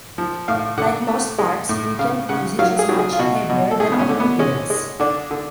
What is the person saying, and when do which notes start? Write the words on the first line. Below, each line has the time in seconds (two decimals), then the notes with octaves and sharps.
Like most parks, weekend usage is much heavier than on weekdays.
0.18 F3
0.48 A2 F5
0.78 D3 F#5
1.08 A3
1.39 G#3
1.69 A2
1.99 C#3 F5
2.29 C#3 F#5
2.59 F#3 F5
2.79 G#4
2.89 F#3
2.99 G#4
3.13 F4
3.19 B2 F#4
3.50 B2
3.71 A4
3.80 A3 G#4
3.92 B3
3.99 C#4
4.09 D3
4.20 B3
4.39 G#3 C#4
4.70 G#3
5.00 D3 D4
5.31 D3